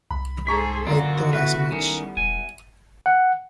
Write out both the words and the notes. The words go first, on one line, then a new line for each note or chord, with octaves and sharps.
I thought as much.
C2 B5
G#2 G#4 A4 C5 A#5 C#6 B6
A#1 F#2 D3 A#3 F#4
A3 B3 E4 B4
D#3 G3 C#4 D#4
E1 G#5
F#5